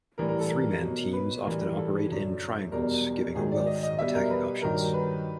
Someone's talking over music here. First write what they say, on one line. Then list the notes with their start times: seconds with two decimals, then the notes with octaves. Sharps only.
Three-man teams often operate in "triangles", giving a wealth of attacking options.
0.18 A2 E3 G3 A#4
0.28 A#4
0.39 A4
0.49 A#4
0.82 B2 F#3
1.13 B4
1.45 A2 E3 G3 A#4
1.61 A#4
1.77 A4
2.09 F#2 D3 F#3
2.72 E2 B2 G3 A#4
3.35 G#2 D#3 F#3 G#4
3.52 D5
3.67 D#5
3.83 D#5
3.99 B2 G3 E5
4.15 A#4
4.30 B4
4.62 G2 D#3 F#3 A#4
4.94 B4